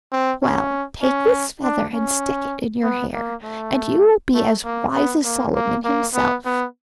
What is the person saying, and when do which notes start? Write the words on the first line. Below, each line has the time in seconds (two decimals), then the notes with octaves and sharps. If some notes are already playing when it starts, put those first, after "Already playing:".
'Well, take this feather and stick it in your hair, and you will be as wise as Solomon himself.'
0.12 C4
0.42 C#4
1.03 C#4
1.63 D4
1.94 C#4
2.83 B3
3.14 A#3
3.43 A3
4.34 A3
4.65 A#3
4.95 B3
5.25 A#3
5.55 A#3
5.85 A#3
6.15 B3
6.45 B3